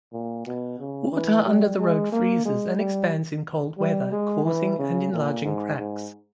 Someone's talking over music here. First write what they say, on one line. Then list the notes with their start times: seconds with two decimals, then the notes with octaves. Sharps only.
Water under the road freezes and expands in cold weather, causing and enlarging cracks.
0.13 A#2
0.47 B2
0.79 C#3
1.12 E3
1.45 G3
1.80 G#3
2.13 A#3
2.45 G#3
2.79 G3
3.78 G3
4.12 G#3
4.45 E3
4.79 C#3
5.12 A#2
5.44 G#2
5.78 G#2